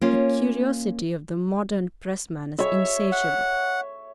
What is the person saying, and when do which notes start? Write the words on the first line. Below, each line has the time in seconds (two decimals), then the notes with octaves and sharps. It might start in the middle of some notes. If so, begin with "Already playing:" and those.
"The curiosity of the modern pressman is insatiable."
0.01 A#3 C#4 F4
2.59 C#5 E5
3.12 F#5